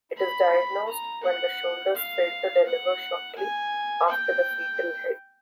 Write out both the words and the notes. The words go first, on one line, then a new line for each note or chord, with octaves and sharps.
It is diagnosed when the shoulders fail to deliver shortly after the fetal head.
B5
A#5
F#5
F5
F#5
G#5
G5